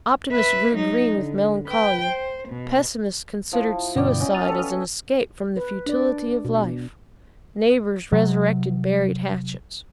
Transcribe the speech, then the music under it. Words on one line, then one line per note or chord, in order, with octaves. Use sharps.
Optimists grew green with melancholia, pessimists considered suicide as an escape from the futility of life, neighbors resurrected buried hatchets.
B4 E5
F#3 D#4
D3
B4 G5
C5
B2
F3 E4
G2 B2 D3 B3 D5 G5
C#4 D#5
A5 D#6 F6
A4 B4
B4
D4 D5
B2
C3 F#3